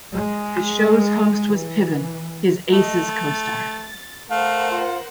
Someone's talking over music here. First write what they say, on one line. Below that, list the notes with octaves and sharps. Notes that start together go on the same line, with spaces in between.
The show's host was Piven, his "Aces" co-star.
G#3
E3
A3 D#5
A6
A3 A#4 C5 F5 F#5
F4